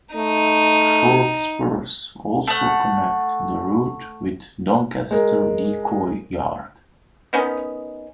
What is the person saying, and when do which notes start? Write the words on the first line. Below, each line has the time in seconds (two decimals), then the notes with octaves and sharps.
Short spurs also connect the route with Doncaster Decoy Yard.
0.15 A3 D#4
2.48 A3 F#5
5.11 G#3 A#4
7.33 D#3 B3 C#4